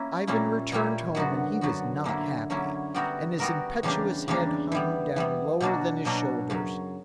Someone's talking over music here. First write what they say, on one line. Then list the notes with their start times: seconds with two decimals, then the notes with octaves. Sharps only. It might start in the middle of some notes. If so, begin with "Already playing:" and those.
Ivan returned home, and he was not happy, and his impetuous head hung down lower than his shoulders.
Already playing: A#3 C#4 E4
0.27 A#2 G3 A#3 C#4 E4
0.72 A#2 G3 A#3 C#4 E4
1.15 F#2 D3 F#3 B3 F#4
1.61 F#2 D3 F#3 B3 F#4
2.04 D3 F#3 A#3 C#4 E4
2.50 D3 F#3 A#3 C#4 E4
2.94 G3 B3 F#4 A#4 E5
3.39 G3 B3 F#4 A#4 E5
3.83 E2 C#3 G3 A#3 D4
4.28 E2 C#3 G3 A#3 D4
4.72 E3 G3 B3
5.16 E3 G3 B3
5.60 B2 F#3 A#3 D4 F#4
6.05 B2 F#3 A#3 D4 F#4
6.50 F#2 C#3 F#3